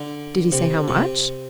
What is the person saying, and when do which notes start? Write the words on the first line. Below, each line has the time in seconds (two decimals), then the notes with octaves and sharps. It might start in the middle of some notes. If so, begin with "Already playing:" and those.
"Did he say how much?"
Already playing: D3
0.52 C3
0.88 C3